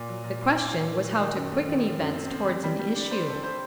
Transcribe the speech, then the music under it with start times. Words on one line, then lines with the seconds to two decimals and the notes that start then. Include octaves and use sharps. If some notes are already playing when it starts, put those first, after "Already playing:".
The question was how to quicken events towards an issue.
Already playing: A#2
0.09 F#3
0.24 A#2
0.41 A#2
0.56 A#2
0.72 A#2
0.88 A#3
1.04 F#3
1.20 D#3
1.36 F#2
1.52 A3
1.68 D#3
1.84 A3
2.00 F#2
2.16 C4
2.31 C4
2.47 G3
2.64 G3
2.79 G3
2.95 D4
3.11 C5
3.28 A4
3.44 C5